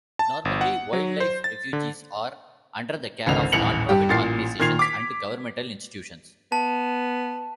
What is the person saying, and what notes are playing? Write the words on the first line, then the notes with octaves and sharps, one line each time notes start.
Normally, wildlife refuges are under the care of non-profit organizations and governmental institutions.
A5
G1
F#5
F#3
C5
A6
D3
G#1 C#2 D3 F7
D#1 A1 C#7 F7 F#7
G2 G4
A1 A#2 A6 C7
A#2 D#3 G#6 C7 F7
D6 B6
B3 A5